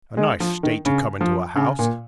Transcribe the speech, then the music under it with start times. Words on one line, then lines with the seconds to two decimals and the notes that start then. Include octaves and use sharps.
A nice state to come into a house!
0.17 G#3
0.40 F3
0.63 D#3
0.86 C#3
1.21 F3
1.56 C#3
1.79 A#2